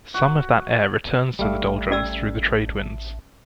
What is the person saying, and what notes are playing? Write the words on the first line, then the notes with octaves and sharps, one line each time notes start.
Some of that air returns to the doldrums through the trade winds.
F#4
A1 G3 A3 F5
C#4 D5 E6